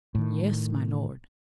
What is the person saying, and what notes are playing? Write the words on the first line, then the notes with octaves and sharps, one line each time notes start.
"Yes, my Lord!"
A2 D#3